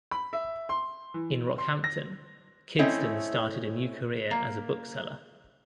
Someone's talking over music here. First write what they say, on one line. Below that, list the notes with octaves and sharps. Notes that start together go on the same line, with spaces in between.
In Rockhampton, Kidston started a new career as a bookseller.
B5
E5
C6
E3
C6
A#6
A3 C4 C#4 E4 D#5
A#3